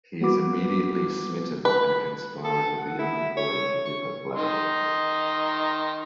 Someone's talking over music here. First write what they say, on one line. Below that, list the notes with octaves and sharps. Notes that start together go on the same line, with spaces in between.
He is immediately smitten and conspires with a younger boy to give her flowers.
G3 A#3 B3 F#4 B4 D6
B4
A4
F#5
E4
C#5
C#6
D#3 D#4 C6